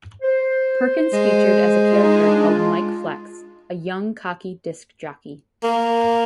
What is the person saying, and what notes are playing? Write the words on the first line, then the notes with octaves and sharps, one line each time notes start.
Perkins featured as a character called Mike Flex, a young cocky disc jockey.
C5
G#3
F4
D#4
D4
F4
A#3